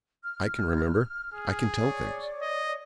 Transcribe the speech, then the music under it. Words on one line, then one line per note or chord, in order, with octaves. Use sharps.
I can remember; I can tell things!
F6
G#4
C#5 D5
D#5